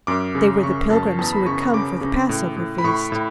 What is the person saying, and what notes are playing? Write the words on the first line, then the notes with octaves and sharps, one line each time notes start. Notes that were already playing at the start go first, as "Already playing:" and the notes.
They were the pilgrims who had come for the Passover feast.
F#2 D6
C#3
C#3 C#6
F#2 A5
E2 A5
B5
C#3 C#6
C#6
C#3 D6
C#3
A2
A2
B5
A2 C#6
A2